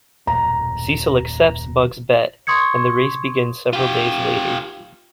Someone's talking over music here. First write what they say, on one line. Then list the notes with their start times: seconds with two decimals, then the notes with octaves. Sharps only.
Cecil accepts Bugs' bet, and the race begins several days later.
0.27 D#1 F#2 B2 A#5
2.47 C6 C#6 D#6 G#6 C#7
3.73 F4 G4